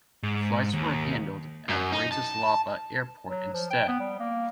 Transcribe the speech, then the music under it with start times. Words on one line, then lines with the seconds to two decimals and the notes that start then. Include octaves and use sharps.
Flights were handled at Bratislava Airport instead.
0.23 G#2
0.74 D#2
1.70 F#2
1.93 D#4
2.12 A5
3.29 F#3
3.54 F3
3.71 G5
3.88 B3
4.00 G3
4.20 A#3